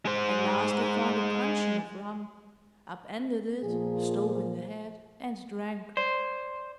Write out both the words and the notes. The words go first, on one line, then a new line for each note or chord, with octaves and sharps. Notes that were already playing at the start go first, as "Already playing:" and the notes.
At last they found a puncheon of rum, upended it, stove in the head, and drank.
G#3 C5
A#2 F3 G#4
C5 D5